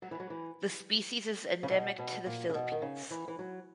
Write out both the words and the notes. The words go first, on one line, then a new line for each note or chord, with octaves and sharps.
The species is endemic to the Philippines.
F#3
E3
F#3
E3
C#3
B2
B2
A#2
C#3
B2
D#3
C#3
E3
E3
F#3